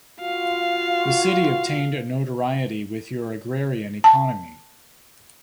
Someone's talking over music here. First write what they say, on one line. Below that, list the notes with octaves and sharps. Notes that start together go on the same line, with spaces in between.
The city obtained a notoriety with your agrarian economy.
F4 F#4 F5
A5